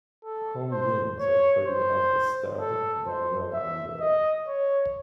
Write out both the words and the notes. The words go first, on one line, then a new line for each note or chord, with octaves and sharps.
Home games are played at the Stade Daniel-Ambert.
A4
C5
C#5
C5
A4
C5
E5
D#5
C#5